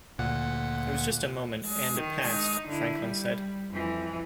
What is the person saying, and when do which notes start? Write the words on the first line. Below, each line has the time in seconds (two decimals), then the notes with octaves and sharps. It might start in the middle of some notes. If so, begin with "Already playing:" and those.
It was just a moment and it passed, Franklin said.
0.18 D2 A#2 F#5
1.95 D#3
2.32 D#4
2.67 D3 E4
2.98 G3
3.71 F2 E3